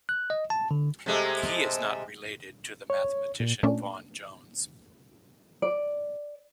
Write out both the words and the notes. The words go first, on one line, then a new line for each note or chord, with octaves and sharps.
He is not related to the mathematician Vaughan Jones.
F#6
D#5
A5
D3
C3 G#3 A3
C#5
A#2
A#2 A3 C#4 D4
D5